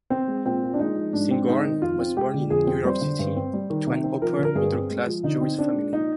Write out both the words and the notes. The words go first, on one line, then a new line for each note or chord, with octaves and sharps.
Spingarn was born in New York City to an upper middle-class Jewish family.
C4
G#3
A#2 C4
A#2
D4
G#3 D#4
F3
G#2 D4
C4
G#3 D#4
D#3
F2 F4
C4
G#3 G4
D3
F2 G#4
C4
G3 C5
D3
G2
C4
G3
D#3
C3
C4
F3 A#4
D3
A#4
G2 G#4
C4
G#3
F3
D3 D#4
C4
C4 D4
G#3
A#2 D#4